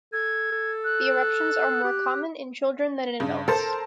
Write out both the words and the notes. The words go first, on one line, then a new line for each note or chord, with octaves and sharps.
The eruptions are more common in children than in adults.
A4 G#6
A4
F#6
G4
G2 C#3
A4 A#4 C5 A5